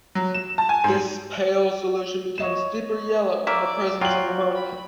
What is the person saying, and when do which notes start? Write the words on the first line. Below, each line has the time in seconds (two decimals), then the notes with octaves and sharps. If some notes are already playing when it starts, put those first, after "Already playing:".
This pale solution becomes deeper yellow in the presence of ammonia.
0.15 F#3
0.34 E7
0.58 A5
0.69 G#5
0.84 G#2
2.38 C#5 D#5 E7
3.47 A#3 D5 E5
4.01 F#3 F4 G5 F#7
4.55 B5